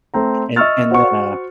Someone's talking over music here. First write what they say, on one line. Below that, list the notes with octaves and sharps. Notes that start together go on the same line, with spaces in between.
and and then, uh,
A3 C4 A#5
D#5 E5 C#6 E6 F6 A6
F#4 C5 F#5 C#6